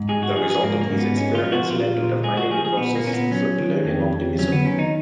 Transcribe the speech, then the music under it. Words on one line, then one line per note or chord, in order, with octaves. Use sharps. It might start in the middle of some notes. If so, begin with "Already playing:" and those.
The result of these experiments led to defining the processes of learning optimism.
Already playing: G#2
G#3 G#4
F#4
F3 G#4
G#4
G#2 A#3
A#3
G#2
B3
G#3 C#4
F4
F3
F#4
A#2 F4
A#2
G#3 G#4
F#4
F3 G#4
G#4
A#2 B3
A#3
A#2 C#4
B3
F#3 C#4
D#3
F2
F2
F#3 C#4
B3
D#3 C#4
D#4